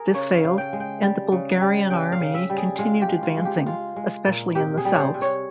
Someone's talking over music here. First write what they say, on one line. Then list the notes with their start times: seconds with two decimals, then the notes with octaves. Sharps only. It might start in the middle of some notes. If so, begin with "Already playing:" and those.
This failed and the Bulgarian army continued advancing, especially in the south.
Already playing: G#4 A#4
0.14 C#3 C#5
0.36 F5
0.44 C#3
0.58 G5
0.73 G#3
0.80 G5
1.03 G3
1.32 C#3
1.61 G3
1.90 C#3 G5
2.12 F5
2.20 C#3
2.34 E5
2.50 G3
2.57 G#4
2.79 G#3 F4
3.01 G4
3.08 G#3
3.23 F4
3.37 G#3
3.45 G4
3.66 G#3 F4
3.96 G#3
4.26 A#2
4.55 C3 G4
4.78 G#4
4.85 G3
4.94 C#5
4.99 C5
5.14 C3
5.22 C#5